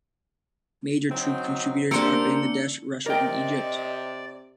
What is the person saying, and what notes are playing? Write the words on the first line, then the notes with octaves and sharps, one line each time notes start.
Major troop contributors are Bangladesh, Russia and Egypt.
F#3 C4 D#4
A#3 D4 G4 A#4 C5 E6 C#7
C3 A#4 D5 D#5 G5